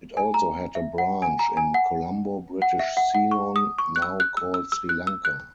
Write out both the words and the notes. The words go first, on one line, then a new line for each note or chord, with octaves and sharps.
It also had a branch in Colombo, British Ceylon, now called Sri Lanka.
G#5
A#5
E5
F#5
G#5
A#5
G#5
F#5
F#5
E5
F#5
F#5
C#6
D#6
C#6
F#6
E6
F#6
E6
E6
E6
F#6
E6
F#6